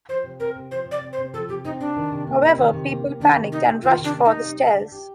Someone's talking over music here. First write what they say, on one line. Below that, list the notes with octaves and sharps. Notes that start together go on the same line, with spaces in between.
However, people panicked and rushed for the stairs.
F3 C5
C3
C4 A#4
C3
F3 C5
C3
D5
C4
C5
C3
F3 A4
C3 G4
C4 D#4
C3 D4
D#3
C3
A#3
C3
D#3
C3
A#3
C3
D#3 D4
C3
A#3 D#4
C3
D#3 F4
C3
D4
A#3
C3 D#4
G3
D3
D4
G4